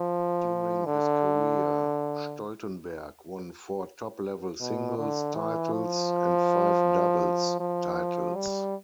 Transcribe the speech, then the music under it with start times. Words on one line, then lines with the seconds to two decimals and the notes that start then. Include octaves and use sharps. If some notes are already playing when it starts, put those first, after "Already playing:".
During his career, Stoltenberg won four top-level singles titles and five doubles titles.
Already playing: F3
0.86 D3
4.60 B2
4.98 D3
5.35 E3
5.73 F3
7.60 F3
8.35 G3